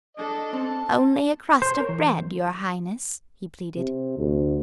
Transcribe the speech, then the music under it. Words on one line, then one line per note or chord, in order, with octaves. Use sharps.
"Only a crust of bread, your Highness!" he pleaded.
D4 A4 D#5
C4 A5
C5
A#4 C#5
E3
C3
D2